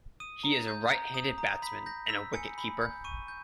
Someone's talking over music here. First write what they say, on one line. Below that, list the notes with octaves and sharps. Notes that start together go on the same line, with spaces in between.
He is a right-handed batsman and a wicket-keeper.
D#6 D#7
A#5
G6
A#5
D#6
A#5
B5 B6
G6 A#6
E6 B6
G#5 C#7
B5
G6
C#6 D#7
G6